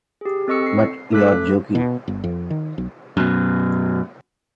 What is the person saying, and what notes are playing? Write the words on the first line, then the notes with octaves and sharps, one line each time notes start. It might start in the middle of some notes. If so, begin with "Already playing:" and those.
But you’re joking!
G4 G#4
C4 A4 D#5 C#6 E6 C#7
C7
A3 A4 D6 F#6 B6
B2
G1
F2
D#3
B1
F#2 B2